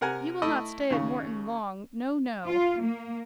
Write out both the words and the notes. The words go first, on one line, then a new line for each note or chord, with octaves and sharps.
"You will not stay at Morton long: no, no!"
C3 A#4 F#5 G#5
A3 E4 D#5
D#2 C#3
F4
A#3